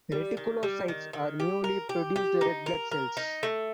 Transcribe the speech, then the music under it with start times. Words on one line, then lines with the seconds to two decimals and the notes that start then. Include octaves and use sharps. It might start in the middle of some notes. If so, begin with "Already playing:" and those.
Reticulocytes are newly produced red blood cells.
0.12 G3
0.37 D#3
0.63 G3
0.88 D#3
1.13 D#3
1.40 G4
1.64 A#4
1.89 G4
2.16 G4
2.41 D#4
2.66 A#4
2.91 A#4
3.17 D#4
3.43 A3